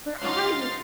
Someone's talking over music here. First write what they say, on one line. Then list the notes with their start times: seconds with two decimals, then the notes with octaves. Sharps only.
Where are you?
0.22 C#2 F#3 D#4 F4 C6 F6 A6